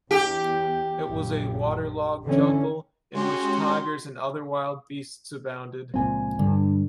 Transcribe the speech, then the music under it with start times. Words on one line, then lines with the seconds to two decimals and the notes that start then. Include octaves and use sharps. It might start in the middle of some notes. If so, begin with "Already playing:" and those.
It was a water-logged jungle, in which tigers and other wild beasts abounded.
0.11 E2 G4
1.07 A#1 F#2
2.25 D3 E3 C#4
3.15 G#3 C#4 F#4 G4 C6
5.94 C#2 A#2 F3 C4 G#5
6.39 G2 D3